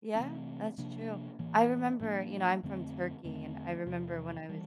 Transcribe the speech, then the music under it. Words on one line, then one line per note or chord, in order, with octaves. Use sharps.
Yeah, that's true. I remember, you know, I'm from Turkey and I remember when I was
C3 E3 A3 C4
C3 F3 A#3 D4
A2 E3 A#3
A2 F3 A#3 D4
F2 D3 A3 C4
E2 D3 A3 C4
E2 C3 F3
E3 G3